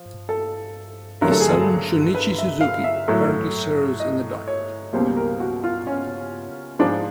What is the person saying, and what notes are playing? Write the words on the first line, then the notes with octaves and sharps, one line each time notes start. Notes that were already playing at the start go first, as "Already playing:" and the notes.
His son Shun'ichi Suzuki currently serves in the Diet.
Already playing: F3
A4
G2 D3 F#3 A3 A#4
A4
G#4
A4
B4
E5
F5
E5
A2 F#3 A3
D#5
C#5
C#2 B2 G3 A#3 C5
A#4
F#4
F4
C#4
G#2 F3 G#3 D4